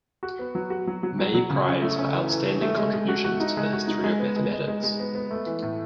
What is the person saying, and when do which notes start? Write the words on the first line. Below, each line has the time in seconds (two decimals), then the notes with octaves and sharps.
May Prize for outstanding contributions to the history of mathematics.
0.23 F#4
0.39 B3
0.55 F#3
0.70 F#4
0.87 F#3
1.03 F#3
1.19 F#3
1.34 F#3
1.50 C#3
1.66 C#4
1.82 A3
1.98 C#4
2.14 E3
2.30 E3
2.45 E3
2.62 A3
2.77 G#3
2.93 G#3
3.08 F#4
3.24 F#4
3.40 D#4
3.57 G#3
3.73 F#4
3.88 D#4
4.04 G#3
4.19 B3
4.36 G#3
4.52 G#3
4.68 G#3
4.83 G#3
5.00 B3
5.15 B3
5.31 A3
5.46 E3
5.62 A2